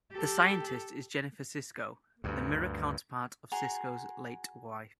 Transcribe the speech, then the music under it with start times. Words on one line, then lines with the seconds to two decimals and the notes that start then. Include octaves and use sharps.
That scientist is Jennifer Sisko, the Mirror counterpart of Sisko's late wife.
0.12 G4 A4
2.24 D2 G2
3.52 F#4 G#4 A#5 C6